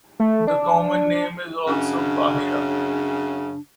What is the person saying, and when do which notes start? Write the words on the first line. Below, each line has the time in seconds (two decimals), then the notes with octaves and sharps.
The common name is also bahia.
0.20 A3
0.47 D4
1.67 F#2 C#3 D4